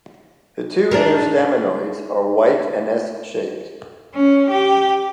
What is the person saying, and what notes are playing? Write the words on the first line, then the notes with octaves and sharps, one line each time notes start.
The two inner staminodes are white and s-shaped.
D4 G#4 A#4
C#4
G4